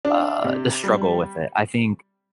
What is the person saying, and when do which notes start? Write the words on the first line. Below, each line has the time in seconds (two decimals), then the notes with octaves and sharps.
uh the struggle with it. I think
0.05 D4
0.44 C3
0.84 G3